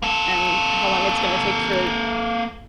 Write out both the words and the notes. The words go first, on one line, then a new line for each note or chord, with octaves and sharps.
and how long it's gonna take for
A#3 A4